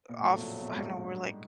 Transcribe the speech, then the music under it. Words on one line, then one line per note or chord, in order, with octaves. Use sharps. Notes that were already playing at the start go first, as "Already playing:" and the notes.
off I don't know, were, like,
A#2
F2 A2 C#3 F#3 A3
A#2
B2
G#2
G2